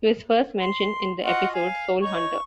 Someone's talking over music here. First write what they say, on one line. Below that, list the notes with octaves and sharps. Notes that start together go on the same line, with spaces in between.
He was first mentioned in the episode "Soul Hunter".
C6
F4 F#4 D#5 F#5
F5 G#5
D#4 C#5 C#6